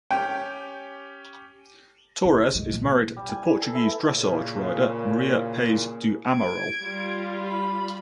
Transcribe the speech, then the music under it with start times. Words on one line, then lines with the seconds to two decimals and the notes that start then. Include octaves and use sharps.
Torres is married to Portuguese Dressage rider Maria Pais do Amaral.
0.11 C#4 G4 G5
2.25 C#3
2.55 C2 G#3
2.73 A#2
3.17 G3
3.29 G#5
3.45 B4
3.62 A4
3.75 E4
4.15 A#2 C#3
6.31 G#6 D7
6.81 G3 F4
7.45 B5